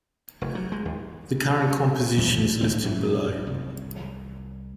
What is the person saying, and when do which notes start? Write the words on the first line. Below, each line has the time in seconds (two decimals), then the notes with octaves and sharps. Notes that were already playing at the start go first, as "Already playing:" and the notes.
The current composition is listed below.
0.42 F1
0.55 F#3
0.72 G#3
0.85 D#2
2.17 G#1 E2 E3 F#3
2.61 D#2 G#2 C4
2.83 A#1 F#2 E3
3.47 C2